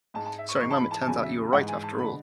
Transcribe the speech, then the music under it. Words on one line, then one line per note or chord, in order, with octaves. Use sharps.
Sorry mum, it turns out you were right after all.
G#2 G#3 A5
A5
E5
C#6
G#2 E3 G#3 C#6
A5
B5
A5
A5
E2 C#3 F#3 G#5
E5
G#2 E3 G#3 F#5
G#5
A5
D3 G#3 B5